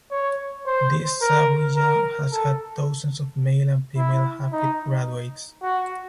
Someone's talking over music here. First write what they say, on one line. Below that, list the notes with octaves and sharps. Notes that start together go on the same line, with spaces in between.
This zawiya has had dozens of male and female Hafiz graduates.
C#5
C5
A#4
A#4
A4
E4
D#4
F#4